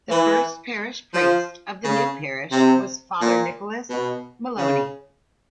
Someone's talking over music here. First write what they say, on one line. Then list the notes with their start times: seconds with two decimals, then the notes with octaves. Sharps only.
The first parish priest of the new parish was Father Nicholas Molony.
0.11 E3
1.14 F3
1.84 C#3
2.52 C3
3.21 A#2
3.90 B2
4.58 C#3